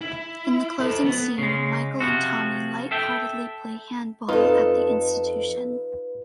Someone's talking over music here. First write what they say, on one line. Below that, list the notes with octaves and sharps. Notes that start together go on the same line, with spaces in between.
In the closing scene, Michael and Tommy light-heartedly play handball at the institution.
E4
A4 C5
B3
C#3 G#3
C3 F3 F#4
A4 E5 G5
F2 D#4 F4 A4 B4